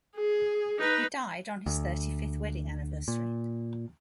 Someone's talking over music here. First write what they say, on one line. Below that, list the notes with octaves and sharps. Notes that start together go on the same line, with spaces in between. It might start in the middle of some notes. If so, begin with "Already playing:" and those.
He died on his thirty-fifth wedding anniversary.
G#4
D#4 B4
D2
A#2